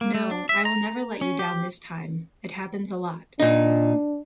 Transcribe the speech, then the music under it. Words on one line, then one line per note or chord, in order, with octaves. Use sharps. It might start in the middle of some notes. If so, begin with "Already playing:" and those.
No, I will never let you down this time, it happens a lot.
A#3
A3
D4
E5
A#5
C#4
G4
A#2 D4 D#4